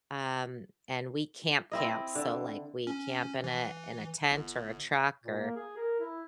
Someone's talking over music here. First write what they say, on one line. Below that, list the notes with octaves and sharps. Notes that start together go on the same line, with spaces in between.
um, and we camp, camp. So, like, we camp in a in a tent or a truck or,
C4 E4 D#5
D3
C#4
E3
G1
A#2
A#3
G#4
A#4
E4